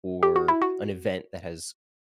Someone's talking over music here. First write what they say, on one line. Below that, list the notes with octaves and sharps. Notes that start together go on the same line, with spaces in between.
or an event that has
G4
F#4
E4
F#4